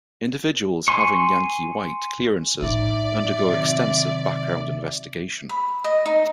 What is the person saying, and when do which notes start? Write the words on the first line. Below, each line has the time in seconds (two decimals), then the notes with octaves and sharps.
Individuals having Yankee White clearances undergo extensive background investigation.
0.88 G#5 C6 C#6
2.61 A2 D#4 D5 E5
3.49 C3 D#3 F#3
5.49 B5
5.84 D#5
6.06 D#4